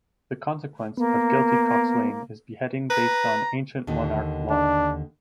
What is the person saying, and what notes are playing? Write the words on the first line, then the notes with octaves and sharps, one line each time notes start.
The consequence of guilty coxswain is beheading based on ancient monarch law.
A#3 B3
B4 A#5
D#2 D3 D#3
D4